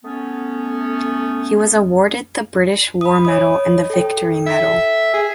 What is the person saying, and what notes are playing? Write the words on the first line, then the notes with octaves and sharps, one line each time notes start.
He was awarded the British War Medal and the Victory Medal.
A3 B3 C#4
B5 D#6
C#5 D#5 D#6
A4 G5
E5
G#4